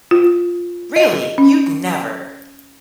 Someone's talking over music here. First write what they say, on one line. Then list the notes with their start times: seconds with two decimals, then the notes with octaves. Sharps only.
Really! You’d never!
0.11 F4
0.96 D#5
1.38 C#4